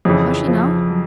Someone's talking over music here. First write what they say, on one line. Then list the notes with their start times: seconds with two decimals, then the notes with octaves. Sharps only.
"Must she know?"
0.05 F2 C#3 E3 F3
0.48 F3
0.91 F#3